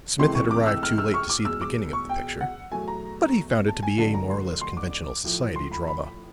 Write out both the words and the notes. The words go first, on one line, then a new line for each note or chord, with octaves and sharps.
Smith had arrived too late to see the beginning of the picture; but he found it to be a more or less conventional society drama.
C#2 C3 E3 A3 C6
C#6
D6
E6
F6
E6
C#6
D6
E2 B2 G#3 E6
D6
C#6
G5
F#5
E2 B2 F#3 A3 G#5
A#5
A5
G#5
F2 D3 F#3 A3 A5
A#5
C6
C6
D6
A2 F3 A3
C6
B5
B5